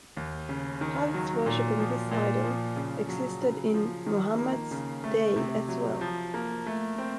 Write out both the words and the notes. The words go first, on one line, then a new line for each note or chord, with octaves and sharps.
Cults worshipping this idol existed in Muhammad's day as well.
D#2
C#3
D#3
F#3
A#2
F3
A#2
F3
C#3
F#3
C#3
F3
D#3
A#3
C#3
A3
C3
F#3
F3
A#3
A3
C4